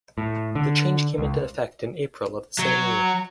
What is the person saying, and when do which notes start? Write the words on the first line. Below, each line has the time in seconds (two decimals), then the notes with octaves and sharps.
The change came into effect in April of the same year.
0.18 A2
0.55 D3
1.18 C#2
2.59 F#3